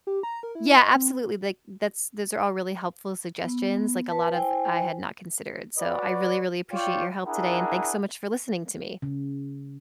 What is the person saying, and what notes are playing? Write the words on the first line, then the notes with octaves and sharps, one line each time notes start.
Yeah, absolutely, like, that's those are all really helpful suggestions, like, a lot of I had not considered, so, I really, really appreciate your help today, and thanks so much for listening to me.
G4
A#5
A#4
E4
D#5
C4
B3
B4 A5
E4 C5 G5 G#5
F#4 B4 C#5 D5
F4 C#5 D5 G5
D4 E4 G#4 A#4 F#5
C#3